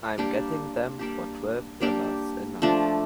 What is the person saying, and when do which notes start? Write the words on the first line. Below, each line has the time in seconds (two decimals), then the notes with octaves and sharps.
I'm getting them for twelve dollars a night.
0.18 G3 A#3 D4 G4
0.99 G3 A#3 D4 G4
1.81 G3 A#3 D4 G4
2.62 F3 A3 D4